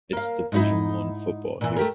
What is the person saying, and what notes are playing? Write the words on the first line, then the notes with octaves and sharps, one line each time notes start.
It's Division One football here.
A#3 F5
G#2 D#4 E4
A#2 E3
A3 G4 A#4